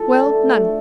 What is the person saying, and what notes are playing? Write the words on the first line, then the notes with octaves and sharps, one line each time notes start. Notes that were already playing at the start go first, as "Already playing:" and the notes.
Well, none.
Already playing: F3 A4
D3
A3
D3
A3